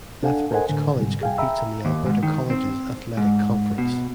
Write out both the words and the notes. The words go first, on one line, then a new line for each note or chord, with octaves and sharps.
Lethbridge College competes in the Alberta Colleges Athletic Conference.
D4 A4 F5 F#5 G#5
A4 A#4 C5 D#5 F#5 G#5
A2 D3
G#2 C3 G3
G#4 F5 G5 G#5
E5 G5 A#5 B5 E6
D#2
G#2
D#3
C4
G#2
B2